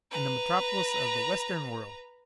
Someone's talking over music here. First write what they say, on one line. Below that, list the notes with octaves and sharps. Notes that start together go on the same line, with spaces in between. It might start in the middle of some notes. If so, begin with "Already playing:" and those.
In the metropolis of the western world!
B4 A#5